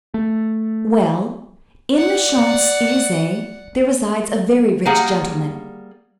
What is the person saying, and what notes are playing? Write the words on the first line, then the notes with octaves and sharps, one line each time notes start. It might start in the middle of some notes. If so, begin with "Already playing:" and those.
"Well, in the Champs Elysees there resides a very rich gentleman."
A3
D5 F#5
G3 A#3 G#4 F#5